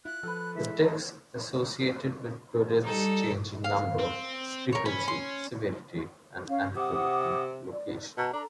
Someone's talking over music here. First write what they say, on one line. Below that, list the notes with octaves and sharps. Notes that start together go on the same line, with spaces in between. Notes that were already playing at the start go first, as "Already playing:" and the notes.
The tics associated with Tourette's change in number, frequency, severity and anatomical location.
E4 F4 F#6
F3 A4 B4
E3 G#3 E5
F3 A3 C4 D#4
G3 D#4 A4
F5
C4
A#4 C#5
C#4 B5
C6
C#4 F5
C3 F#5 D6 D#6
D5
B2 A5 A#5
D4 A4 A#5